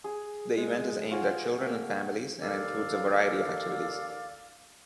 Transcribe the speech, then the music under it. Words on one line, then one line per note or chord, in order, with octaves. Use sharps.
The event is aimed at children and families, and includes a variety of activities.
G#4
G#3
F4 F#4 F#5 G#5
A#3
D#2 A4 D5 F5